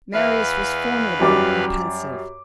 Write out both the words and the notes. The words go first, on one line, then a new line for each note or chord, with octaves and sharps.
Marius was formidable and pensive.
E2 B4 E5 F5
F#2 G3 D6